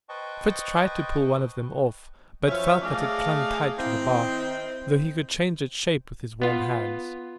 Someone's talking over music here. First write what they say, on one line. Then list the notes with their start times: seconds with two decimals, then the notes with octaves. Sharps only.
Fritz tried to pull one of them off, but felt that it clung tight to the bark, though he could change its shape with his warm hands.
0.09 B4 C5 D#5 G5 A5 C#6
2.48 F#2 F3 C#4 C#5 E5 F5
2.82 A3 G#4 D5 D#5 F5
3.77 D#3 C4 D#4 E4
6.42 B3 F4